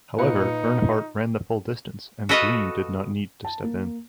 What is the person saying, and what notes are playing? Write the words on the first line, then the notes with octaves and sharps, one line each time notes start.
However, Earnhardt ran the full distance, and Green did not need to step in.
A#2 D#4 F4 B4 C#7
F#4 A4 B4 D#5 F5 F#5
A5
A#3